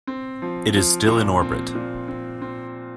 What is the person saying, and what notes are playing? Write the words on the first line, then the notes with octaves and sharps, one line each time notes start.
It is still in orbit.
C4
F3
F3
A#2
C4
A#2
C4
C4